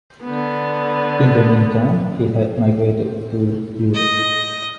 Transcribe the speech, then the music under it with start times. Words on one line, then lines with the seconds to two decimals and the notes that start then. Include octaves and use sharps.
In the meantime, he had migrated to Europe.
0.24 D3 B3
3.95 D#5